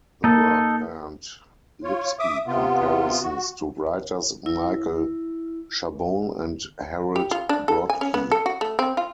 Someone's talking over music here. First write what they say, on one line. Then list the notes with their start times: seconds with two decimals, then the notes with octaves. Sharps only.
The work earned Lipsky comparisons to writers Michael Chabon and Harold Brodkey.
0.24 A#3 D#4 A4
1.84 F4 C#5
2.19 E5 D6 D#6
2.47 C3 B3 F4
3.21 F#4
4.46 E4
7.16 G4
7.31 F4
7.49 D4
7.68 A4
7.90 G#5
8.01 C#4
8.14 B3
8.32 A4
8.46 F#4
8.61 A3
8.79 C4
8.97 F4